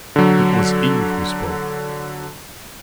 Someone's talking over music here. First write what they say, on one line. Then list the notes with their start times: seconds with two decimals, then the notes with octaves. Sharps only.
It was Eve who spoke.
0.16 D3 F#3